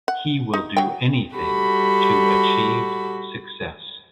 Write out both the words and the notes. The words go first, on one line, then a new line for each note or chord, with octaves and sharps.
He will do anything to achieve success.
F#5
D#4
F#3 G5
G3 F#4 G4 A4 B5